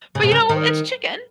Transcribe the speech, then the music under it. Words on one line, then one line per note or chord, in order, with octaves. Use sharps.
But, you know, it's chicken.
C#3
B2
C#3
D#3